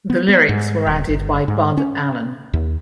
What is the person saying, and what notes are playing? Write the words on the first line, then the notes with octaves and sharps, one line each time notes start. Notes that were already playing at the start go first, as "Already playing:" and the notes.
The lyrics were added by Bud Allen.
B3
B3
G#2
D#1
G1
G#2
C#4
D#2